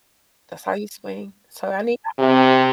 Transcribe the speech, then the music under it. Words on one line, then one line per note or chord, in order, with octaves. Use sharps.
That's how you swing, so, I need
C3